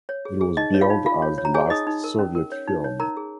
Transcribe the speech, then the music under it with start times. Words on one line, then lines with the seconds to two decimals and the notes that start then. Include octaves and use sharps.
It was billed as The Last Soviet Film.
0.09 C#5
0.25 G#4
0.41 G#4
0.57 D#4 D#5
0.74 C#5
0.81 F4 F5
0.90 D#4
1.06 F4 F5
1.22 C#5
1.38 C#5
1.45 A#5
1.54 G#4 C#5 G#5
1.70 D#4 D#5 D#6
1.87 D#4
2.04 A#4
2.19 C#4
2.35 A#4
2.52 C#5
2.68 D#4
2.84 C#5
3.00 D#4 A#4 A#5
3.17 G#4